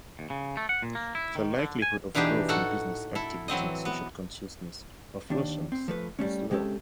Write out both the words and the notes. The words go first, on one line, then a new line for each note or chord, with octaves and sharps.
The likelihood of growth in business activity and social consciousness of Russians is low.
D#2
C#3
A3
F#5
A#2
A#3
E4
D#3
D3
G#5
B2 E3 D4 D#4 G4 G#4
A2 D#4 F#4 A4 F#5
E4 A4
E3 F#3 C4 D#5
B3
D#2 D4
C4
F3 A3 B4
G3 A3 C#4
C3 G#3 C#4 G4 A4